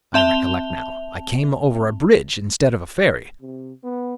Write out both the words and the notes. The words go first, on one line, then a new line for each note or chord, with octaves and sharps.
I recollect now, I came over a bridge instead of a ferry.
C4 E5 A5 F7 G7
C3
B3